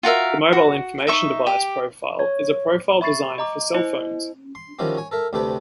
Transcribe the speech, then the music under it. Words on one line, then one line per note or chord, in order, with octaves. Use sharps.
The Mobile Information Device Profile is a profile designed for cell phones.
F4 F#4 A#4 E5
F#4
D#4 E5 C#6
G4
C#5
E5 B5 C#6 A6 C7
D#5 A#5 D6
E4 C5 D#5
C6
D#3 F3 C#4 E4 F#4 G4
C#5 G#5
A4 A#4 E5
D2 C3 G4 A4 B4 G5